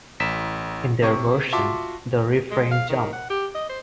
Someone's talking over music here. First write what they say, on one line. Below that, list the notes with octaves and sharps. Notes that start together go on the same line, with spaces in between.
In their version, the refrain Jump!
A1 B6 E7
C3 C#6
F4 F#4 E5 A5 C6 D6
G#3
F5
D#3
F#5
G4
D#5
C5